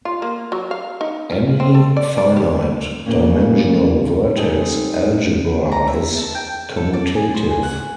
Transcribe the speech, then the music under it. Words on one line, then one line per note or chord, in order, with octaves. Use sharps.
Any finite-dimensional vertex algebra is commutative.
F4
A#3
F#3
F5
D#4
F4
C4
A4
D5
D5
G4
A#2 C#3 A#3 C#4
G3 C4 D#4 A4 G#5
A#5
E5
A5
G5
A4
D5
G#4
C6
G#4
F#5